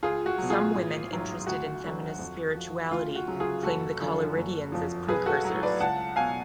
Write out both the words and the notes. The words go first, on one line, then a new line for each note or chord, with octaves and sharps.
Some women interested in feminist spirituality claim the Collyridians as precursors.
C#2 F4 G#4
F#4
B2 F#3
F4 G#4
A1
G#2 F#3
D2 F#4
D3 F#3
F2
F3
D2 F4
F#4
C#3 F#3
F4 G#4
F#1 F#4 A4
F#2 D3 F3
F#1
F2 F3
B1 G#4 B4
F#4 A4
A2 F#3
B4 D5
C#2 F#5 A5
B2 F#3 F5 G#5